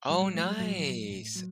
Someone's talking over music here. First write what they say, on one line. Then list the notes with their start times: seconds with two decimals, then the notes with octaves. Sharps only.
Oh, nice.
0.09 A2 G3
0.22 G3
0.35 F#3 A3
0.48 G3
0.60 A2 F#3
0.85 F#3
1.10 A2
1.36 F#3